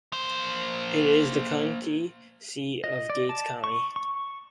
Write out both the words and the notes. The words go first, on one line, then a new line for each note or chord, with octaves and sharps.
It is the county seat of Gates County.
A#3 C5
D#5
D5
A5
C#6
C#6